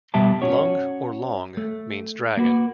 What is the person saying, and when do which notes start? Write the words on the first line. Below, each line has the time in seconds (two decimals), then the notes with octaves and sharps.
"Lung" or "Long" means dragon.
0.14 B2 G3 G4 E5 G5 A5
0.42 C#4 F#4 C#5
1.57 A3
2.37 A#3 F#4 B4